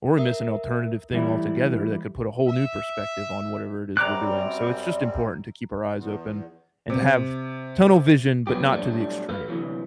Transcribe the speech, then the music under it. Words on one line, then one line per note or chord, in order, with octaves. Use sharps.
or miss an alternative thing altogether that could put a whole new perspective on whatever it is we're doing, so it's just important to keep our eyes open and to have tunnel vision, but not to the extreme.
A#4 E5 D#6
E3 G3 A3 D4 E4
E5
F#2 G3 C4 A#5 D6 F#6
E2
C3
F#3 B3 G4
A#2 F#3 G3 A3 D4
A4 B4 F5
D2 A2 C3 E3 F#3